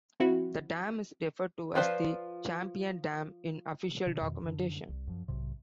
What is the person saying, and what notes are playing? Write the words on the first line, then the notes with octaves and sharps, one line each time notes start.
The dam is referred to as the Champion Dam in official documentation.
F3 C4 E4 F#4
F3 F4 B4 C5 D5
B2 D3
F2 B2 D#3
F#2 D3
C2
F#2 F3
B1 G#2 C3